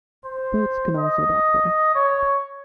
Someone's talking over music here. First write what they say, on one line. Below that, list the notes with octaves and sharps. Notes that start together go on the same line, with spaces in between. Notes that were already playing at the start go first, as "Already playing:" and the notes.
Boats can also dock there.
C5
D#5
C#5